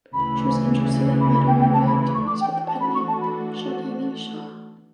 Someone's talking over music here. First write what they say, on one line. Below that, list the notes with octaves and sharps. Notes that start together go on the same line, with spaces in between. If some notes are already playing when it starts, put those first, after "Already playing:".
She was interested in literary activities with the pen-name "Chadani Shah".
D2 C#3 E3 B5
B5
B5
G5
G5
A5
B5
B5
C#6
E3 A3 D4 F#4 A4 D6
G5
G5
A5
B5
C#6
A5
B5